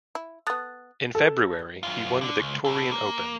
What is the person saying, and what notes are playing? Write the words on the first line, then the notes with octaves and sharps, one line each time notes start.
In February he won the Victorian Open.
E4
B3 A4 D#6 F#6 A6
A4
F#2 F4
D3 D4
C#2
B2 A4
A#3